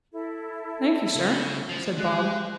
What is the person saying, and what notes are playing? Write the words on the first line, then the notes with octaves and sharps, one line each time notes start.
'Thankee sir,' said Bob.
E4 A4
C#3
F3
G#3 G4 F#6